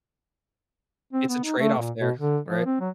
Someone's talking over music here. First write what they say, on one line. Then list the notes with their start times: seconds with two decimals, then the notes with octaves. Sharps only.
it's a trade-off there, right?
1.13 C4
1.29 B3
1.44 D#4
1.58 A3
1.78 A#2
2.00 B2
2.18 D3
2.48 F3
2.66 C4
2.80 F#3